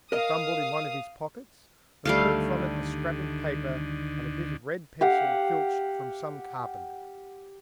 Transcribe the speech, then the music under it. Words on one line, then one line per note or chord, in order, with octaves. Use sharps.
He fumbled in one of his pockets, and pulled from it a scrap of paper and a bit of red pencil filched from some carpenter.
A#4 D#5 F5 D#6
D2 D3 D#3 G3 A3 F5
G4 F5 F#5